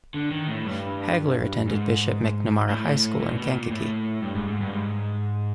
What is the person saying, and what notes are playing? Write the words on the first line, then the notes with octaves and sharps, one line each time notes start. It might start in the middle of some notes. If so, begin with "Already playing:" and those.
Hagler attended Bishop McNamara High School in Kankakee.
D3
D#3
A2
G2
G#2
A2
A#2
B2
A#2
A2
G2
G#2
G#2
G2
G#2